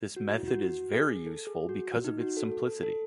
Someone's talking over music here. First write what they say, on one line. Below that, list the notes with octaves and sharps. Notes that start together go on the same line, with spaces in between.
This method is very useful because of its simplicity.
F#4
E4
F#4
F#4
G#4
A4
G#4
F#4
D#4
F#4
A4
A4
A4
A4